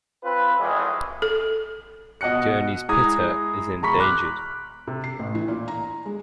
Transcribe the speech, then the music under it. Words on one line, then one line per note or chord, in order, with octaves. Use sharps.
Gurney's pitta is endangered.
C4 F4 B4
G#1 F2 D#3 E3 G#3
A4
B2 D#5 F#5 F#6 C#7
G#3 E4 A#5 D#6 G#6
E1 A#5 B5 C#6 B6
C6 D6 F6 F#6 B6
C3
C7
A1
E3
A#2
A#5
G#3